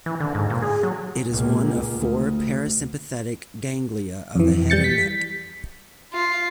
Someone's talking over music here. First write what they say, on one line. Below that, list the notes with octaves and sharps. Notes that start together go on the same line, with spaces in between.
It is one of four parasympathetic ganglia of the head and neck.
E3
D3
G#2
A#2
G#4
F#3
C#2 A#2
D2
F2 E3
G3 G6 A6 C#7
B6
F4